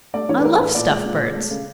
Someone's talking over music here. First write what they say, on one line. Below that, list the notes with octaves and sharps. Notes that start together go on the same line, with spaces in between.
"I love stuffed birds."
A3 D5
E3 C#5
B4
A3 A#4
A2 B4
A#2 D5
G#3
A#2
G#3
A3
C#3